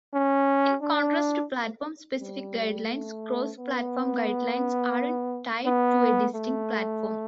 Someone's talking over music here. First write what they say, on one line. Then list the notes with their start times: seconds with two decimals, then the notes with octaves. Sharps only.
In contrast to platform-specific guidelines, cross-platform guidelines aren't tied to a distinct platform.
0.14 C#4
0.82 D4
2.21 G3
2.89 A3
3.59 B3
5.66 B3
6.35 A3